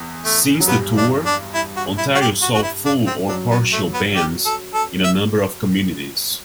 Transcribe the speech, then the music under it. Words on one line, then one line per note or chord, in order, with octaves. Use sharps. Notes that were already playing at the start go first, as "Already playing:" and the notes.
Since the tour, Ontario saw full or partial bans in a number of communities.
Already playing: E2
A3
F#3
G2 G3 B3
D4
D4
E4
F#4
E4
F#4
G4
F#4
F#4
E4
D4
C4
F#2 F#3 D4
B3
A3
B3
G4
A4
A4
E5